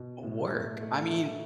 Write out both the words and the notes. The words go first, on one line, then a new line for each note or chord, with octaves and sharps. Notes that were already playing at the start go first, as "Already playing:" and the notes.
work. I mean,
Already playing: B2
A2
A2
A3
A3